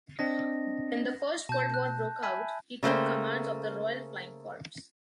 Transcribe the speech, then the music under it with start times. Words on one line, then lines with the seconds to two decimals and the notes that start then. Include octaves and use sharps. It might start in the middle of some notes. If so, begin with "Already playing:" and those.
When the First World War broke out, he took command of the Royal Flying Corps.
0.19 C4 D4 D#5 A#6
1.49 B2 A5 G6
1.74 F#6
2.23 E5 G#5 B5
2.83 C#3 A3 A#3 C5 G5